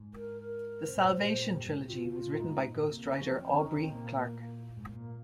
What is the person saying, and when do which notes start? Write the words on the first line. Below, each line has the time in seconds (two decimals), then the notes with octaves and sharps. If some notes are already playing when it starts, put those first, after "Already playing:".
"The Salvation" trilogy was written by ghostwriter Aubrey Clark.
Already playing: G#2
0.13 A#4
0.39 A#4
0.88 C3 C5
0.96 A#2
1.05 G#2
1.13 A#2
1.38 G4
1.58 G2
1.68 G#2
1.79 A#2
1.88 C3 F4
2.05 C#3
2.13 F4
2.21 A#2
2.39 G#2 D#4
2.63 A#2
2.89 C3 A#3
3.05 C#3
3.14 C#4
3.22 F3
3.39 F3 C4
3.51 D#3 C#4
3.64 C#3 D#4
3.76 C3 C4
3.89 A#2 A#3
4.14 A#3
4.39 A#3
4.77 G#2
4.89 A#2 A#3